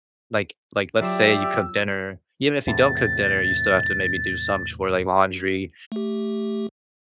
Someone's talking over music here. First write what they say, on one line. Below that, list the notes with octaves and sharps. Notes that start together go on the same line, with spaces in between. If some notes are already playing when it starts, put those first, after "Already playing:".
like like, let's say you cook dinner, even if you don't cook dinner, you still have to maybe do some chore like laundry
F#3 F4 G4 D5 E5 E6 E7
E2 A2 C3 A6
A3 G4